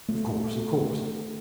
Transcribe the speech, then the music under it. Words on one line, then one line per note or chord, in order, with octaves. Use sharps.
'Of course, of course.
A3